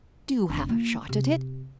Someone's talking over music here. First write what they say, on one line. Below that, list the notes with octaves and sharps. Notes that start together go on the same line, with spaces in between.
Do have a shot at it.
F1 D4
A#3 F4
C3